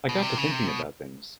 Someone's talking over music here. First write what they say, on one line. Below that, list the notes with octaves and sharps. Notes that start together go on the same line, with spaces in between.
I got to thinking about things.
B2
C3
C#3
C3
B2